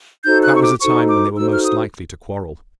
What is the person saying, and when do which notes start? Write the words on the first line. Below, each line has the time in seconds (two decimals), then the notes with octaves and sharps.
That was the time when they were most likely to quarrel.
0.24 D#4 F#4 A4 C5 G6
0.43 F#6
0.55 C#6
0.62 D6
0.80 D#4 F#4 A4 C5 C#6
1.08 D6
1.37 D#4 F#4 A4 C5 E6
1.51 F6
1.65 D#6